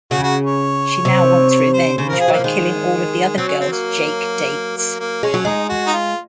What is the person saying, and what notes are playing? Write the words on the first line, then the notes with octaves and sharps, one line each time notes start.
She now wants revenge by killing all of the other girls Jake dates.
C#3 F#4
F#4
C#5
C3
C#5
C5
C#3 C5
F3 A#4
G#4
F#3 A#3
F3
D#3 G#3
F#3 C4
C#4
C4
A#3
A#3
A#3
G#3 C#4
F#3
G#3 D#4
F#4
D#4
F4